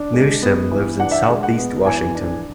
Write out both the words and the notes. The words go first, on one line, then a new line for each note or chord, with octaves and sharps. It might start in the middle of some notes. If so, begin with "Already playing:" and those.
Newsham lives in Southeast Washington.
Already playing: D4
G#3
B3
E3
D4 F#5
E5
F#5
G#3
F#5
B3
E3 G#5
D4